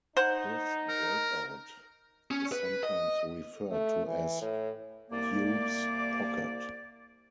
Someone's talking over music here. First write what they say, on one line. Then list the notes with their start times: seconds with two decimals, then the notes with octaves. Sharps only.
This breakout is sometimes referred to as Hube's Pocket.
0.17 D#4 C5 F#5
0.89 A#4
2.31 C#4
2.52 B4
2.83 D#5
3.71 A3
4.07 E3
4.42 A2
5.11 C2 A#3 D5